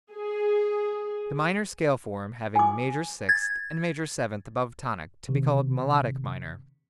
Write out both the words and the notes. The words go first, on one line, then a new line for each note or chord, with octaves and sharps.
The minor scale form having major sixth and major seventh above tonic to be called Melodic Minor.
G#4
G#5 D6
G#6 A6
C3 D#3